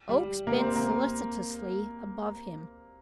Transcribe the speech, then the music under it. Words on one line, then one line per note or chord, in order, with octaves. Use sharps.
Oakes bent solicitously above him.
G3
A#3
C4
A#3